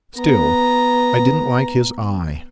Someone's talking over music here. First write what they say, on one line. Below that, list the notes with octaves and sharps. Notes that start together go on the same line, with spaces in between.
Still, I didn't like his eye.'
B3 A#5